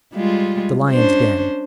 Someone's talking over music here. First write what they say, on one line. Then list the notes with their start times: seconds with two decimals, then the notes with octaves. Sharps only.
The Lions' Den.
0.14 G3 G#3 F4
0.91 C#4 D4 C5